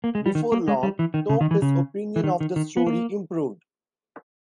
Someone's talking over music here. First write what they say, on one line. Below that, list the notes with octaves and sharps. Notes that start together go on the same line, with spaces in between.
Before long, though, his opinion of the story improved.
A#3
G#3
G3
D#3
A#3
G#3
G3
E3
D#3
C#3
D#3
E3
C#3
E3
D#3
D#3
D#3
B3
A#3